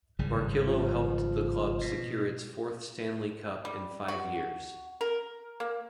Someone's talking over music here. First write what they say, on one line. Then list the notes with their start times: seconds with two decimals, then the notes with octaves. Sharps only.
Barilko helped the club secure its fourth Stanley Cup in five years.
0.19 G#1 C#3 G3
0.67 F3
1.81 B2
3.65 G3
4.08 F#4
5.01 A#4
5.60 A#3